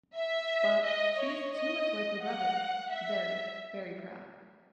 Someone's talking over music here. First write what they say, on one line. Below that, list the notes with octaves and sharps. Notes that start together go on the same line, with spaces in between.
But she is too much like her brother — very, very proud.
E5
D#5
C#5
D#5
F#5
E5